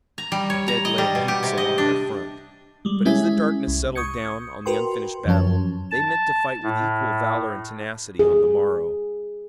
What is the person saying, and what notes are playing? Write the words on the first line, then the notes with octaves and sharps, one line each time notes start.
The dead lay in heaps along their front, but as the darkness settled down on the unfinished battle they meant to fight with equal valor and tenacity on the morrow.
A#5
G3
C#5
A#5
D#5
G3
B2
G4
C3
D#5
D4
G3 G#3
G#3 C#4 E4 E5 G#5
C2
C#6 D#6 G6 G#6 C#7
F#4 A#4 B4 G5 C6
F#2 F3 F#3 C#4 A5
A5
A2
G#4